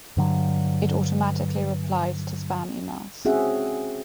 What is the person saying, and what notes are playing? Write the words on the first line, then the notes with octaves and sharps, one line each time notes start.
It automatically replies to spam emails.
G2 D3 F#3
C4 C#4 F#4 G#4 E5 F#5